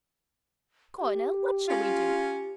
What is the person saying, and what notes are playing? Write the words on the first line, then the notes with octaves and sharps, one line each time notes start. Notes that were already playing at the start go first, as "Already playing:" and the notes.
Coronel, what shall we do?
G4
C#4 F4